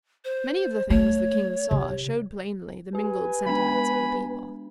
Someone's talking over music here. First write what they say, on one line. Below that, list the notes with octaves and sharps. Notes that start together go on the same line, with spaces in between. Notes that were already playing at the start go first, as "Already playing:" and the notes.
Many of the things the King saw showed plainly the mingled sentiments of the people.
C5
A3 C#5
C3
G4 B4 G#5
G#3 B3 D4 B5